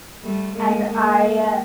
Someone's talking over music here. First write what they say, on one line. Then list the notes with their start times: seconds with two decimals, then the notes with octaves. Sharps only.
and I
0.21 G3 A3
0.55 G#3 A#3
0.90 G#3 A#3